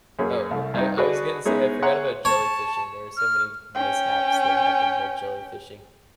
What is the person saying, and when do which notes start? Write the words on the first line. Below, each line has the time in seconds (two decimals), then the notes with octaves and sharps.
Oh, I I was gonna say I forgot about jellyfishing; there are so many mishaps that happened while jellyfishing,
0.19 F#2 A#3 C#4 G#4
0.51 C2 A3
0.74 G2 C3 G3 D#4
0.97 F#4 G#4 A4 B4 D5 D#5
1.45 G#3 B3 C#4 D#4 E4 G#4
1.82 G#4 C#5 E5 F#5 A#5 C6
2.25 C#5 A5
3.17 F6
3.75 C#4 G5